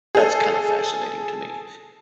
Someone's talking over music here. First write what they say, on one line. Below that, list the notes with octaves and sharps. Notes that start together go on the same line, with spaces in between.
that's kind of fascinating to me.
G#4 A4